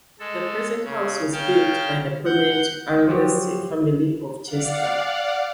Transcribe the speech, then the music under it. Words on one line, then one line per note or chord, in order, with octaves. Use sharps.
The present house was built by the prominent Aldersey family of Chester.
G#3 A4
C#3
C#3 G5 A5 F6
F#5 G6
F3 F#3 F#4 G4
D5 F5 F#5